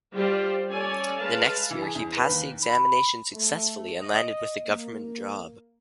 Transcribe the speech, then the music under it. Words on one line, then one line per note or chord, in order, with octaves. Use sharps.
The next year he passed the examination successfully and landed with a Government job.
G3 F4 G4 C5 D5
C#4 A4 C#5 D5 G#5
G#3 B4 F5 A5
E3
G#4
E2
B4
D#2
B5
A3
D#5
A#3